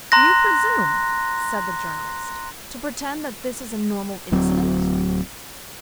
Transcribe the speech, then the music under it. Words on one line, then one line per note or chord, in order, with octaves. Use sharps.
"Do you presume," said the Journalist, "to pretend that this is a normal incident?"
A#5 C6 F#6 A#6
D1 F#3 C4